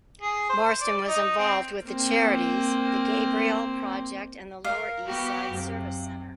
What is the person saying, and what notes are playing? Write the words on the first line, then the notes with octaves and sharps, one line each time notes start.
Marston was involved with the charities The Gabriel Project and Lower Eastside Service Center.
G#4
C5
D5
D#4
C4
A#3 C4
A#4 F5
B3 F#4 G4
F#2 C3